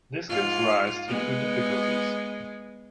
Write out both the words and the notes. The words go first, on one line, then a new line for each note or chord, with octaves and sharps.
This gives rise to two difficulties.
G#2 F4
G#3 B3